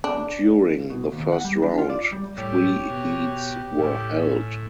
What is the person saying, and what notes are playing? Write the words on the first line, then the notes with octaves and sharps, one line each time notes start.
During the first round three heats were held.
D4
B2
D#2
F#5
G3
D4
F4
D5
G3
A2 G3 G4 C#5
B2
A2 C#4